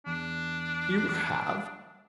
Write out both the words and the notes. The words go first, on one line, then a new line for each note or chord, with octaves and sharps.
"You have?"
E2 D4